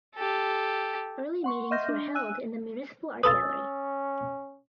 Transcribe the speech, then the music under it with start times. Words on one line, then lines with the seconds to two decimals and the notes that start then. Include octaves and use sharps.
Early meetings were held in the municipal Art Gallery.
0.16 G4 A4
1.44 F#5 C6 C#6
1.71 D#5 E5 C6 F6 G6 A#6
1.89 D4
2.15 G#5 E6 F#6 D#7
3.23 C#4 F4 A4 B4 D#6 E6 A6